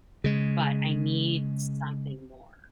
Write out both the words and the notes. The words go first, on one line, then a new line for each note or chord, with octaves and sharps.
but I need something more,
C#3 G#3